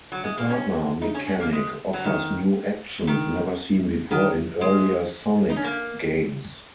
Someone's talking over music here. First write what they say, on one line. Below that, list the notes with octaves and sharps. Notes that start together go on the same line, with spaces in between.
The partner mechanic offers new actions never seen before in earlier "Sonic" games.
F#3
G#3
A#3
C#4
D#4
C#4
C#4
A#3
G#3
F#3
D#3
D#3
D#3
G#3
D#4
C#4
A#3